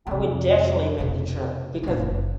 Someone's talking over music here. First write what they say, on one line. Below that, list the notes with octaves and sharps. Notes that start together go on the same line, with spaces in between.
I would definitely make the trip, because
F2 C3
F1 B2
A#2 D4
F#1